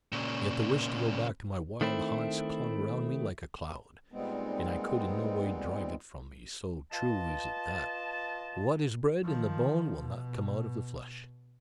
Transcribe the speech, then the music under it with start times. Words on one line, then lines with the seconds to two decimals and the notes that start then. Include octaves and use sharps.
Yet the wish to go back to my wild haunts clung round me like a cloud, and I could in no way drive it from me, so true is it that "what is bred in the bone will not come out of the flesh."
0.12 A#2 C#3
1.81 D#3 A3 C4 E4
4.12 A#2 G3 G#3 B3 C4 D#4
6.92 F4 B4 D#5 A5
9.24 D#3 F3
9.99 B2